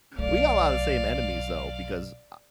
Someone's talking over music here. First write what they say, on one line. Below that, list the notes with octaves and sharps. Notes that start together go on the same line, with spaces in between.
we got a lot of the same enemies, though, because I
B1 A3 D5 F5